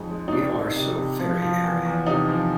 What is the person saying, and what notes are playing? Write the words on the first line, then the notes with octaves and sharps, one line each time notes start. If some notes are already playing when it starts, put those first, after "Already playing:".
We are so very airy!
Already playing: F2 G#3 D#4
G#3
D#4
C3 D4
D#3
C3
C3
F3
F3
E2
E2
C3 D#4
F3